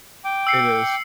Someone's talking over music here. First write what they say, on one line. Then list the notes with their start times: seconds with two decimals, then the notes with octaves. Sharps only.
It is.
0.25 G5 D6
0.47 E6 C7 C#7